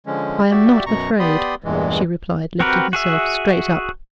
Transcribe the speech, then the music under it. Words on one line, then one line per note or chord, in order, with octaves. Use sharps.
'I am not afraid,' she replied, lifting herself straight up.
D3 F3 G#3 C#4
F#4 G4 D5 E5
F#2 B2 A#5 C#6
B3 G4 D5 B5 C6 D#6
E2 G2 A#2 E3 G#3
C4 F#4 G4 A#4 B4
F#4 G#4 E5